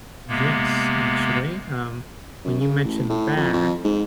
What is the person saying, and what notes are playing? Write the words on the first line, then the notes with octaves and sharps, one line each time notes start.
Yes, actually, um, when you mentioned that,
C3 G#3 A#3 B3
F#2
C#3
A1
A2
F2
F2
G#2